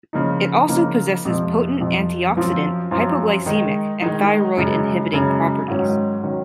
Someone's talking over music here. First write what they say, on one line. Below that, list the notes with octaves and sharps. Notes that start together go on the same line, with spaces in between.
It also possesses potent antioxidant, hypoglycemic and thyroid inhibiting properties.
C#3 F3 A#3 D#4
C#3 F3 A#3 D#4
F2 C3 F3
F2 C3 F3
F#2 F3 C4 F4
F#2 F3 C4 F4
D#3 G#3 D#4
D#3 G#3 D#4
F#2 C#3 G#3
F#2 C#3 G#3
G#2 D#3 F#3 C#4
D#3 F#3 C#4